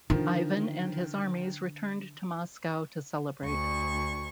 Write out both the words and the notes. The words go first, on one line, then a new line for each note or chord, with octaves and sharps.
Ivan and his armies returned to Moscow to celebrate.
D3 D#3 F3
D2 C#6